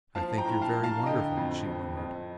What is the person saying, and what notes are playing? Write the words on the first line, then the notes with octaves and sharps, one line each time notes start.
"I think you're very wonderful," she murmured.
F3 F5 A5
G5 A#5
A2
F5 A5
A2
F5 A5
D3 D#5 G5
F2
F2
F2